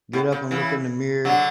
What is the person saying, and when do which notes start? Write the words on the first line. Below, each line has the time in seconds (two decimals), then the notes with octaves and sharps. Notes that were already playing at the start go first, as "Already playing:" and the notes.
get up and look in the mirror,
0.13 A2
0.32 C#3
0.51 C#3 E3
1.25 D3 F#3